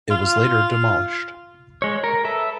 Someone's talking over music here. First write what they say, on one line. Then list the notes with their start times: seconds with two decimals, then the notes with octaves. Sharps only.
It was later demolished.
0.11 F4
1.82 G#3 C#5
2.04 A#4
2.25 A4 B4 E5